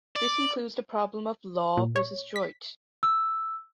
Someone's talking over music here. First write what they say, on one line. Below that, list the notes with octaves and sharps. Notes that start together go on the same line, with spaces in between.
This includes the problem of "law" versus "droit".
D5
A#2
C#5
B6
E6